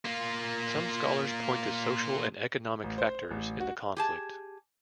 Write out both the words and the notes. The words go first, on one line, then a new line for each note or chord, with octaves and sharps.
Some scholars point to social and economic factors in the conflict.
A#3 F4
A1
C5
A1
F#4
G4 G#4 A5